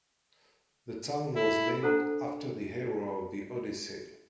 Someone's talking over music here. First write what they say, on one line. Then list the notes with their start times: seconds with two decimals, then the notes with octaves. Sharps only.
The town was named after the hero of the "Odyssey".
1.35 E4 A4
1.82 D4 A4 C5 F#5 A#5 E6